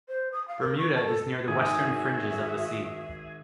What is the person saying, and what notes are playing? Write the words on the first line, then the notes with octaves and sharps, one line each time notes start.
Bermuda is near the western fringes of the sea.
C5
D#6
F5
A#4
C#6
A5
A4
G#1 F#4 G#4 E5